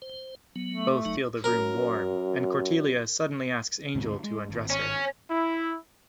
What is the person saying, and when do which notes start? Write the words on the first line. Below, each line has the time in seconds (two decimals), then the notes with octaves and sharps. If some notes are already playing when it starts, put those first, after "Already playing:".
Both feel the room warm, and Cordelia suddenly asks Angel to undress her.
0.02 C5
0.56 F#3 B3
0.70 A3
1.05 G1 F#3 D#4
1.44 F#2 A#4
3.95 D2 G#2 C3
4.23 G#3
4.50 G#1
4.70 C#4
5.30 E4